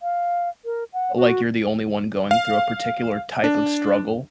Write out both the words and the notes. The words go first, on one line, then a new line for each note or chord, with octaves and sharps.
like you're the only one going through a particular type of struggle,
F5
A#4
F#5
F#4
F5
D4